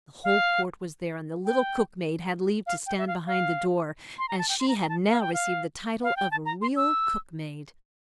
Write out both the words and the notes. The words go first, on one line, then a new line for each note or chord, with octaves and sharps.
The whole court was there, and the little Cook-maid had leave to stand behind the door, as she had now received the title of a real cook-maid.
F5
G5
F5
G5
E5
F5
F5
C6
A#5
A5
G5
C6
A#5
A#5
A5
F5
G5
F5
F5
G5
A5
A#5
C6
E6